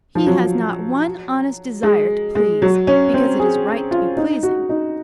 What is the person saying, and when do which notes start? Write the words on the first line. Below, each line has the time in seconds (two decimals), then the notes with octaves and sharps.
He has not one honest desire to please because it is right to be pleasing.
0.15 F3
0.27 F#3
1.83 G#3
2.35 G#3
2.62 F#3
2.87 C#4
3.14 C4
3.39 G#4
3.91 F4
4.17 D#4
4.43 F#4
4.69 D#4